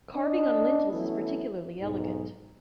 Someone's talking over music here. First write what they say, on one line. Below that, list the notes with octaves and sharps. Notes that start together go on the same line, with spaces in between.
Carving on lintels is particularly elegant.
D4 D#5
E3 F#3 A3 B3 C#4 E4
B1 G#2